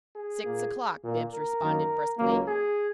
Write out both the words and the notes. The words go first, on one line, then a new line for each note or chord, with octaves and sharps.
"Six o'clock," Bibbs responded, briskly.
G#4
A#2 A#3
A#2 A#3
A#4
F#2 D#3 A#3
C#2 C#3 F#3 A#3
G#4